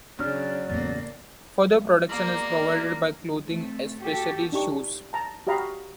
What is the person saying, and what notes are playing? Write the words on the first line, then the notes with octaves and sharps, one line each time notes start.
Further protection is provided by clothing, especially shoes.
C#3 F#3 D4 D5 F6
E2 A2 C#3 A#3
B2 G#3 A#3 A#4 D5
A3 C4
F#4 G4 A4
D4 D#4 G4 C#6
A5 A#5
F#4 G4 D#5 F5 A#5 B5